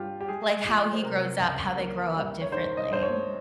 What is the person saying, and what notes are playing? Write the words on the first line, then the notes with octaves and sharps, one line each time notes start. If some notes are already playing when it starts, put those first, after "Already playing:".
like, how he grows up, how they grow up differently.
Already playing: G2 G3 F4 G4
G4
G#3 G#4
F3 G#4
C5
C3 A#4
C#2
A#3
G3
C#5
D#3 C5
D#5
G2 C5
C#5